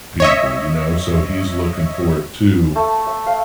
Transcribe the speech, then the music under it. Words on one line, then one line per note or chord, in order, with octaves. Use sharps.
people, you know, so he's looking for it too.
C#5 D#5 E5
A3
E5
F5